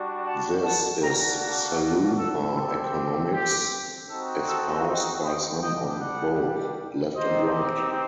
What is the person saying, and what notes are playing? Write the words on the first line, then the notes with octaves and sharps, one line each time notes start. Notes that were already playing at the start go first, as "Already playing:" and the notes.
This is saloon-bar economics espoused by some on both left and right.
Already playing: G3 D4 F#4
F#5 A5
F#5 A5
A#3 D4 F#4 G5 A#5
F#5 A5
A4
C4 G4 A4
G4
C4 D#4 F#4 A4
A4
C5 D#5
D#5 G5
G3 D4 G4 D#5 G5
D5 F#5
C4 D#4 G4 C5 D#5